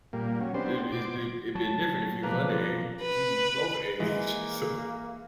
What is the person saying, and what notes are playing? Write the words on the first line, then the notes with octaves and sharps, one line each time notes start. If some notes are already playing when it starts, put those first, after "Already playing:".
it it's been it'd been different if he was underage, but you you overage, so
A#2 G3 A#3
F#3 C#4
B3 C4 D4 G4 C5
B2 C5 D6
F#3 A5
B2 F3 A#3 D4 B4
B4
E3 G#3 A#3